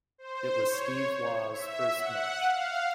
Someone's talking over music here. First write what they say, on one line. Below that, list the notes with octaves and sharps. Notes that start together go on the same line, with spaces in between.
It was Steve Waugh's first match.
C5
C#5
E5
F#5
F5